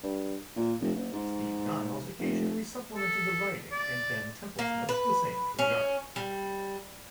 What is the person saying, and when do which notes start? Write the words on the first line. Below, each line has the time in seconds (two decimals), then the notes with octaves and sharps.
Steve Niles occasionally supplemented the writing and Ben Templesmith the same for the art.
0.03 G2
0.56 A#2
0.80 F1
0.96 F#1
1.13 G#2
2.19 F1
2.97 A4
3.72 D5
4.59 A#3
4.89 B4
5.59 C#4
6.16 G3